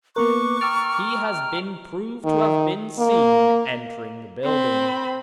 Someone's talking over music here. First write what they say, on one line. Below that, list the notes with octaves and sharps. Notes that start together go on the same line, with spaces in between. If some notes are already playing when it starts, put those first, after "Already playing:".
He has been proved to have been seen entering the building.
A#3 B3 A#4 B4 C#6 D6
G5 A#5 D6 E6 F6 A6
D#3
A#3
C4 B5